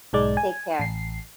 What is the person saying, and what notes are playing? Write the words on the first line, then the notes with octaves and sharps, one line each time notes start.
Take care.
B1 G#2 G#3 D5
G#5
A1 C7